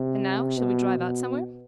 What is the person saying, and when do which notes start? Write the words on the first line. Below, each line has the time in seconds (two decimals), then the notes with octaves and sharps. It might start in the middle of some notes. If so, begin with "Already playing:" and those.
And now, shall we drive out somewhere?
Already playing: C3
0.58 B2
0.98 B2